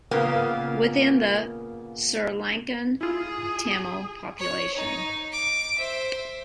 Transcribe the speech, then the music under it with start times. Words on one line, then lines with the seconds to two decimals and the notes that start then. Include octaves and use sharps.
Within the Sri Lankan Tamil population.
0.11 A#2 C#3 A#3 B3
3.01 E4 F4 G#4
4.39 C#5
4.74 D#4
5.32 D6
5.78 C5 E5